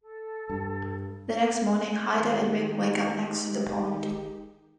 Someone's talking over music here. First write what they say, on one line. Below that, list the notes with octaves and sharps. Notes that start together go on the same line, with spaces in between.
The next morning, Hyder and Rip wake up next to the pond.
A4
G2
D#3 G#3 D#4 G4